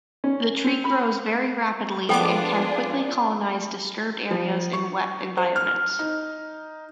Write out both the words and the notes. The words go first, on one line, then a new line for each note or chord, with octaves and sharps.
The tree grows very rapidly and can quickly colonize disturbed areas in wet environments.
C#4
C4
B5
F3 B3 D4 F4 G#4 A4 G5 D6
F3
C#6
C5
F6
D#4